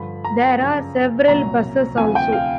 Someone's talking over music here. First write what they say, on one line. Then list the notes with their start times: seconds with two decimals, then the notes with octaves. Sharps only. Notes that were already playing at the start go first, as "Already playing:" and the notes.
There are several buses also.
Already playing: G2 D3 F3 B5
0.24 A#5
0.59 F#2 C#3 F3
1.28 C2 A#2 F#3 A#5
1.97 D2 C3 F3 G#5
2.15 G5
2.32 F5